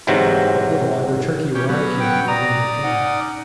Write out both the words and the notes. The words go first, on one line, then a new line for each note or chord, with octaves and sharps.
But little either Turkey or I cared for wind or hail.
G1 G#2 C3 E3 F#3 C4
C#4 G4
F#3 B3 C#4
F#5 G5
D5 A#5 D#6
C#4 D#4 F#5